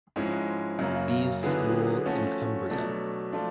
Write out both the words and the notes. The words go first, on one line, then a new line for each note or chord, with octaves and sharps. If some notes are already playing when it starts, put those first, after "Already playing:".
Bees school in Cumbria.
G#2 F3 G#3 C#4 E4
F#2 C#3 F#3 A#3
D3 F#3 B3 E4 G#4
F3 A3 C#4 F#4
B2 F#3 A3 D4
F3 A3 D4 F4